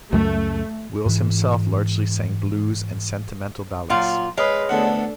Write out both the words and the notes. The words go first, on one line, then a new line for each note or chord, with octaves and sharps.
Wills himself largely sang blues and sentimental ballads.
C#2 F#2 A3
G#2 E3
A#2 F#3 F4
G#3 B4 C#5 F5 D#6
D2 B3 D4 A4 F#5